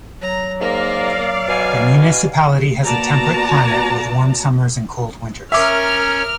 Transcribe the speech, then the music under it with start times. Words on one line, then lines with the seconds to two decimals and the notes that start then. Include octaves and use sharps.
The municipality has a temperate climate, with warm summers and cold winters.
0.22 F#3 A#5
0.61 G#2 A#3 A#4 D5 F5
1.48 B2 G#5
2.85 A#3 B3 F#4 D5 A5 A#5
5.52 C#4 A#4 E5 D6 F6